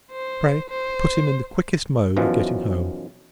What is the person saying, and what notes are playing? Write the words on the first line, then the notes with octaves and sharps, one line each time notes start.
Pray, put him in the quickest mode of getting home.
C5
C5
B1 F#2 B2 E3 F3